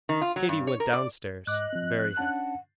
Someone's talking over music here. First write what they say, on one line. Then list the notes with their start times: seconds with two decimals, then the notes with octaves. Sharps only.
Katy went down stairs very happy.
0.09 D#3
0.22 F4
0.36 F#3
0.49 G2
0.67 C#5
0.80 A#4
0.93 D5
1.47 G#2 D#5 D6 F#6
1.73 F3 C4
2.17 C#4 D4 F#5 A5